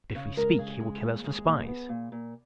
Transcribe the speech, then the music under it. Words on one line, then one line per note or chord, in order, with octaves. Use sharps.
But if we speak, he will kill us for spies.
C#3 C#5
G#3 A#4
C#3 G#4
G#3
D#2
G#3
A#2
B3
A#2
A#2